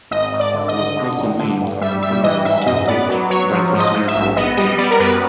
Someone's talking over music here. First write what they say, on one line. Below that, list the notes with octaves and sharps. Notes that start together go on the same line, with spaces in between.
He was also named as an honorary director by the Surrey Board of Trade.
G#1 D#5
G#1
D5
D3
D#5
G#1
D3
A1
D3
G2
G3 E5
G3 E5
E3 D#5
G#2 E5
F#2 D#5
B3 D5
F#3
F#3 C#5
F3
G#2
D#5
G#2
E5
A#1
B3 D#5
G3 D#5
B3 D5
A#4
F#2 B4